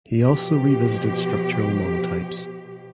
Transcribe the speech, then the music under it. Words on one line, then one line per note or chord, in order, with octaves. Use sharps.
He also revisited structural monotypes.
B2 F3 G4